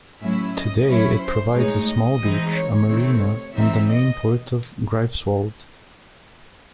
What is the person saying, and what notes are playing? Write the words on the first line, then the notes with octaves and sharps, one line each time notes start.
Today it provides a small beach, a marina and the main port for Greifswald.
A2 F#3 C#4 E4 E5
D#5
F#3 C#4 E4 C#5
C5
A2 G#3 D#4 C#5
D#5
E3 G#3 C4 D#4
C#5
C3 D#3 A3 C4
E3 C4 D#4 E5
D#5